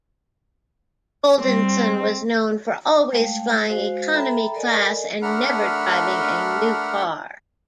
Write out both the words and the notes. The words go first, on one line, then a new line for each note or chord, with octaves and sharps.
Goldenson was known for always flying economy class and never driving a new car.
G3 C4
G#3 A3 F5 G5
G#3 F#4 C5 F5
A4 E5 G5 A#5 B5
A4 A#4 D5 D#5 G#5
A3 D4 A#4 F#5 B5 F6